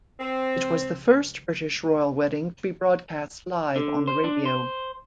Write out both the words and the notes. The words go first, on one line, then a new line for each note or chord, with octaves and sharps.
It was the first British royal wedding to be broadcast live on the radio.
C4
D3
C5
D4
C5